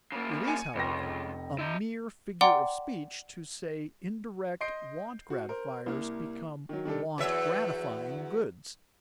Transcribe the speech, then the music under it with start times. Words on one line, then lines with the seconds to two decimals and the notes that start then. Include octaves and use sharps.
It is, however, a mere figure of speech to say indirect want-gratifiers become want-gratifying goods.
0.12 C#3 A#3
0.47 G#5 C#7
0.75 F1 C#2 G5 A#6
1.59 E4 D#5
2.41 D5 F#5 G5 A#5 C6 D6
4.61 D#5 C6 G6 C7 D7
5.30 F#4
5.49 A#4 C5
5.86 C2 A#3
6.69 D#3 F#3
6.85 D#3 G3 D4 A4
7.18 E2 F#3 E5